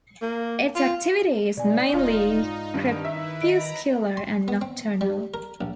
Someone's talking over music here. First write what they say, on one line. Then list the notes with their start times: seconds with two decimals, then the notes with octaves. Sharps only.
Its activity is mainly crepuscular and nocturnal.
0.22 A#3
0.76 F4
1.57 B2 D#4 D5 G#5
1.94 E1 F4
2.43 G#2
2.74 G2 D#3
3.05 E4 B4 E5
3.41 D#5 A#5 B5 D7
4.17 C6
4.48 B3
4.61 C4
5.01 G3
5.34 A#4
5.61 A#1